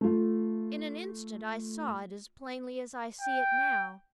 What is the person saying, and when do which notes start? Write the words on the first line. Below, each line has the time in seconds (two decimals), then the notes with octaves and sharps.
In an instant I saw it as plainly as I see it now.
0.01 A3 F4
3.21 G5